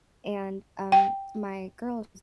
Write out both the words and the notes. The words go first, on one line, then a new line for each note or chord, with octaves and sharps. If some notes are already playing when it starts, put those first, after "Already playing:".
and, um, my girl
G5